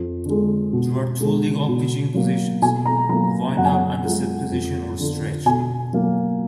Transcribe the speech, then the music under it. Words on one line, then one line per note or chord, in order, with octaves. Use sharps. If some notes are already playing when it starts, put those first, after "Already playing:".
There are two legal pitching positions, the "windup" and the set position or "stretch".
Already playing: F2
D3 G#3
B2
G#3
B2
F#3 A#3
B2 G#5
A#5
F#3 A#3 A#5
F#2 F#5
G#5
F#5
F3 G#3
F2
D3 F3
B2 G#5
F#3 A#3